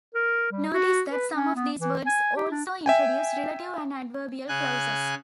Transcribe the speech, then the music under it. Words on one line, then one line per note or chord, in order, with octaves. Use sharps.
Notice that some of these words also introduce relative and adverbial clauses.
A#4
G3
F#4
B4
C#4
B3
E3
G#5
G4
D4
E5 G5 G#5
C#3 G#5 F#6